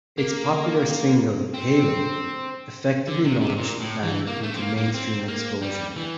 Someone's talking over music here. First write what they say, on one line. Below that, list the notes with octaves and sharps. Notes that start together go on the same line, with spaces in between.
It's popular single, "Halo", effectively launched the band into mainstream exposure.
A#3
C4
D3
C3
C3
A#2
A2
E3
A#3
A3
C4
A#3
A#3
C4
A#3
G3
E3